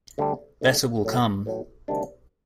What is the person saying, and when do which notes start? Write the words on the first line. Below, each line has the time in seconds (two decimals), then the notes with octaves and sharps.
Better will come.
0.18 D2 D3 G3 D4 G4
0.61 D2 D3 G3 D4 G4
1.04 A1 A2 F#3
1.46 A1 A2 F#3
1.88 D2 C3 D#3 G3 D4